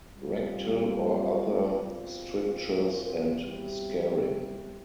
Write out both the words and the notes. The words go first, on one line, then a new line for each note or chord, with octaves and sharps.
Rectal or other strictures and scarring.
G3 C4 F4
B2 G#3 C4 F4
B2 G3 C4 E4 G4